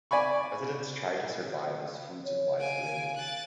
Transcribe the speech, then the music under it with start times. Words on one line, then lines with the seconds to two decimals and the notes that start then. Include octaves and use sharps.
Residents tried to survive as food supplies dwindled.
0.11 D5 G#5 B5 C#6
2.24 C#5
2.59 F5 G#5 D7
3.16 F#6 A6